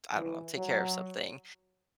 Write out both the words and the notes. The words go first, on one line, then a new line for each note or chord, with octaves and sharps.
I don't know, take care of something,
E3
F#3